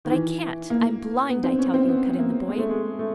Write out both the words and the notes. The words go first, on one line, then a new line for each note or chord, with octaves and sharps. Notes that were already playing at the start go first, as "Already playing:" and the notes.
"But I can't--I'm blind, I tell you!" cut in the boy.
D#3
E3
A#3
B3
C4
C#4
C4
B3
A#3
G#3
A3
G#3
A3